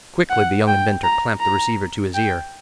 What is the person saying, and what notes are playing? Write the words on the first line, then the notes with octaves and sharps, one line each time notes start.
Quickly the young inventor clamped the receiver to his ear.
F#5
G5
A#5
A#5
G5